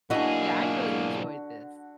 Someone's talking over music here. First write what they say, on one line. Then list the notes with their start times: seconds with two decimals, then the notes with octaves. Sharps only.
yeah, I really enjoyed this.
0.10 B1 D3 A#3 E4 F#4 G#4 D#5